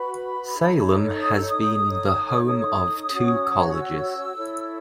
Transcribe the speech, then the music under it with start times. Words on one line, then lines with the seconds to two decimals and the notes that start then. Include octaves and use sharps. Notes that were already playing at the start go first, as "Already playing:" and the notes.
Salem has been the home of two colleges.
Already playing: F#4 B4 B5
0.57 D#4 A4 C#5
1.21 D#6
1.35 E6
1.48 D#6
1.84 D#4 A4 C#5
2.47 D#6
3.10 C#4 F#4 C#5
3.69 D#6
3.73 E6
4.37 E4 A4 C#5